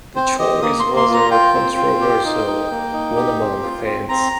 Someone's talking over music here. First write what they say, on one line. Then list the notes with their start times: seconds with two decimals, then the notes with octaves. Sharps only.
The choice was a controversial one among fans.
0.16 C4 C5
0.39 G4 D#5
0.62 A#3 D#6
0.80 C6
0.85 A#3
0.97 C6
1.09 F4
1.14 A#5
1.31 F4 G5
1.54 C4
1.77 F4
2.01 G4
2.25 D#4
2.47 D#4
2.70 A#3
2.93 D#4
3.16 G4
3.40 C4
3.63 F4
3.85 C4
4.09 C4 A#5